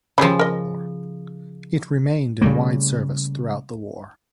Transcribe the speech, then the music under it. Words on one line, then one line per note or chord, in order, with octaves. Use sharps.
It remained in wide service throughout the war.
C#3 F3 C4 G4 B5
A#4 D#5
C#3 G3 A3 A#3